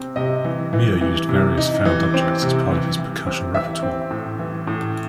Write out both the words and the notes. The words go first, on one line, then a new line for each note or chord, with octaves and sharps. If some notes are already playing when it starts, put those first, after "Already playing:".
Muir used various found objects as part of his percussion repertoire.
Already playing: C3 C4
C3 D#5
E3
E3
E3
C3
D#4
E3
C4
C3
E3
E3
C4
E3 E5
C4
A2
E3
A2